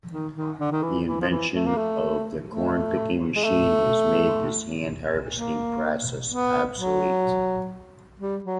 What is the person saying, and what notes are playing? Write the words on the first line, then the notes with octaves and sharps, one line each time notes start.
The invention of the corn picking machine has made this hand harvesting process obsolete.
D#3
D#3
D3
D#3
E3
E3
F3
E3
A3
A#3
A3
A3
G#3
A3
A#3
B3
F#3
G3
F#3